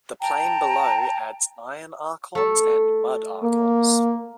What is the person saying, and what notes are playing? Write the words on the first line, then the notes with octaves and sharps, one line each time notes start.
The Plane Below adds Iron Archons and Mud Archons.
G5 A5 A#5
A3 A4
A#3